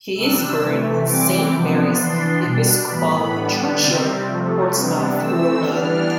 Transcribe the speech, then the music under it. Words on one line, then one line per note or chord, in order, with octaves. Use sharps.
He is buried in Saint Mary's Episcopal Churchyard, Portsmouth, Rhode Island.
C3 G3 D4 E6
C3 E3 A3
E3 G3 C4 D6
C3 F3 B3 D4
E3 B3 D4 C6
B2 G3 D4
A2 E3 B3 B5
D3 G3 B3 D4
C3 G3 C4
C3 F3 A3
C3 G3 B3 D4
E3 A3 C4 E6
E3 G3 B3 D4 F6